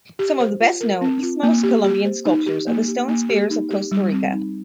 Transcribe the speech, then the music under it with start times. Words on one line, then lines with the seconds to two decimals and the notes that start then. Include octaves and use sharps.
Some of the best-known Isthmo-Colombian sculptures are the stone spheres of Costa Rica.
0.19 G4
0.40 C5
0.61 F4
0.81 A#4
1.01 C4
1.23 F4
1.43 A#3
1.63 G4
1.84 G4
2.05 C5
2.25 D#4
2.46 G4
2.67 A#3
2.88 G4
3.08 A#3
3.29 G4
3.50 D#4
3.70 G4
3.91 G3
4.12 C4
4.33 D#4